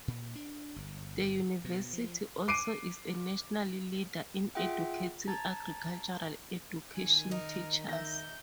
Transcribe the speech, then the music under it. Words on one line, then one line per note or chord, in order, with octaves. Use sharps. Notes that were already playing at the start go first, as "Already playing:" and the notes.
The university also is a national leader in educating agricultural education teachers.
A#2
D4
G1
B2
F3
D6 C7 D7 D#7
F4 G#4 E5 F#5 G5
A5 A#5 G#6 A6
D#3 G#5
D#4 A#4
E5 G6 A#6